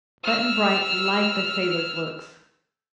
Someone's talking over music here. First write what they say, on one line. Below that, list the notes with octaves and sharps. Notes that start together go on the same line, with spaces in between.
Button-Bright liked the sailor's looks.
E6 F6